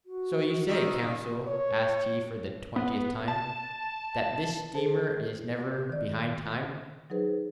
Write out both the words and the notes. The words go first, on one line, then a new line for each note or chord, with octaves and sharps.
"So you say, consul," asked he for the twentieth time, "that this steamer is never behind time?"
F#4
F#2 D#3 D#5 E5 A#5
C#5
B3
A5
G#4 A4 C5 A5
D#3 D5
F#3 D#4 G#4 B4 C5